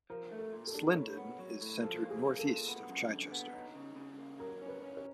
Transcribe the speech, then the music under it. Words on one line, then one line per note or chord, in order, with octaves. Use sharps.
Slindon is centred north-east of Chichester.
F3 A#4
A3
A4
A#2
A4
D4 G#4
A4
A2 C#5
B3
F#3
A2
F3 A4
A#3
G#4
A#3
A4
A#2
B3
F#2
D3
B3
D#4
C#3
C#3
A#3
F#3 A#4
C#4
B4
C#4
C#5